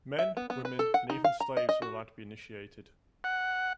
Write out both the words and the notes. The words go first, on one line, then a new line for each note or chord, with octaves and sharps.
Men, women and even slaves were allowed to be initiated.
E5
B3
B3
B4
A4
F#5
D#4
F5
A#5
D#5
D#5
F#4
F#5